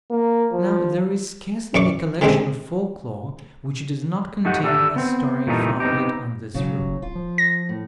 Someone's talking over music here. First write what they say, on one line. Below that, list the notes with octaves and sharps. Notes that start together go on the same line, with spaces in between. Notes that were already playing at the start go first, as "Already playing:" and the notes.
Now, there is scarcely a collection of folk-lore which does not contain a story founded on this root.
A#3
F3
F#2 D5 C#6 D6
D3 D#3 G3 G#3 C4 D4
A3 D#4 G4 F#5
D3 G4 A4 A#4 D5 E5
B3 C4
A#2 E3 G3 A3 D#4
B3 C4 D#4 G4
E1 C#3 F#3
F#1
D1 F4
F3
A#6
A2